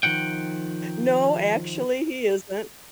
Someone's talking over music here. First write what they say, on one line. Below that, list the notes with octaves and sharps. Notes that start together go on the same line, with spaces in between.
No, actually, he isn't.
D#3 F3 F#5 G5